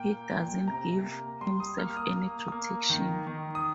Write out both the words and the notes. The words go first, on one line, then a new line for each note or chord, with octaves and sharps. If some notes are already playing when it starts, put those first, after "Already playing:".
He doesn't give himself any protection.
Already playing: A#2 A#3 G5
A#2
C3 A#5
A#3
G3 C6
D#6
A#3 F6
D#6
A#3
A#3
D#3
D#3
D#6